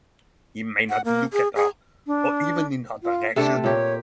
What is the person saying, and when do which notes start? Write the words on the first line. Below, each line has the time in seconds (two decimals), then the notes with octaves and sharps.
He may not look at her or even in her direction.
0.89 F#5
1.05 A#3
1.33 G#4
1.56 G#4
2.07 D4
3.03 F4
3.36 C3 A3 D4 A4
3.64 A#2 G4 C#5